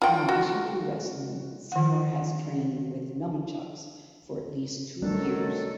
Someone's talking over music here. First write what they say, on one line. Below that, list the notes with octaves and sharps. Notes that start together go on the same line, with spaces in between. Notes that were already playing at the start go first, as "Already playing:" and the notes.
In addition to wrestling, Seymour has trained with nunchucks for at least two years.
F4 G5
F#4
D#3 F#5
D#3 F#3 G3 A3 D4 A4